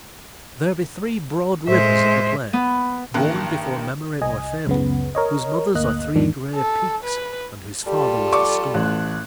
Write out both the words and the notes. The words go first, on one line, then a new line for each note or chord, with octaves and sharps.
There be three broad rivers of the plain, born before memory or fable, whose mothers are three grey peaks and whose father was the storm.
A2 G#3 C5 E5
B3
A1 G2 D#3 A#3 F#6
C2 D#5 G#5
C#2 F#2 C#3 B3
A#4 C#5 D#5
G1 D2 A#3 D#5 F#6
E2 G#2 D#3 D4
A4
B4
G3 F4 G4 A4
D5 C#6 D6
A1 F#6